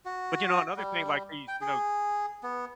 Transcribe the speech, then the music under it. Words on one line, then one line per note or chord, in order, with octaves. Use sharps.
But you know, another thing, like, these, you know
F#4
G3
G5
G#4
B3